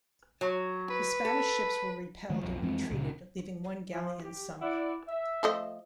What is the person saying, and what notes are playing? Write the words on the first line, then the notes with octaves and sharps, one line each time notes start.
The Spanish ships were repelled and retreated leaving one galleon sunk.
F#3
B4
A4
D#3 G#3 A3
B1 F2 F3
F2 E3 G#3 C4
C#2 A#2 C#3
F3
G4
E4 D5 F#5
E5
F3 A3 D#5